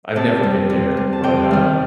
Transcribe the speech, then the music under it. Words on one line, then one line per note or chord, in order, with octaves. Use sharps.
I've never been there, but, uh,
C3 A5
G3
C3
G3
A5
C3 G5
D#3 G3